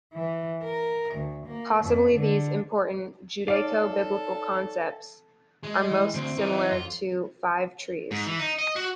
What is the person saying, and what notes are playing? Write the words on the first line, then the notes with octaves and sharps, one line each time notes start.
Possibly these important Judaico-Biblical concepts are most similar to "five trees".
E3
A#4
D2
A#3
F2
D3
D#4 A4 C#5 D5 F5 D6 F6
G#3
E3
D2 C4
E3 D#4
F2 F4
G#2
E3
D#4
D#5
F#4